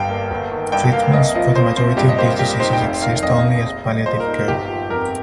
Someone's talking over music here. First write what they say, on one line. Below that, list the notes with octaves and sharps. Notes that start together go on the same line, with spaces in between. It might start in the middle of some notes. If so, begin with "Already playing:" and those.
Treatments for the majority of these diseases exist only as palliative care.
Already playing: G1 G2 G3 F5 G5
A#3
G1
D#3
G2 G5
A#3 F5
C2 D#5
F3 D#5
A#2 C5
C4 C5
G2 G4
D#5
A#3 C5
G3 G4
D#4 C5
G5
F1 F5
D#3 F5
F2 D#5
F1
A#1
G3
A#2 C5
A#4
D#4
A#4
G1 G4
F3
F2 A#4